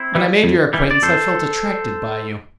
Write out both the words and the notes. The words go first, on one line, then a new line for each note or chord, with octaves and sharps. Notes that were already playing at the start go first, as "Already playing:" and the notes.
When I made your acquaintance, I felt attracted by you.
Already playing: C4 E4
E3 G3
F2
E3 G3
D5
F2 A4 C5